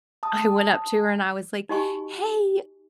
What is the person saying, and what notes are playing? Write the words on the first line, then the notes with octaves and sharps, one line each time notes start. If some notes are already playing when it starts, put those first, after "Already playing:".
I went up to her, and I was like, "Hey,
A5 D#6
D#4 F#4 G4 D#5 G#5 C#6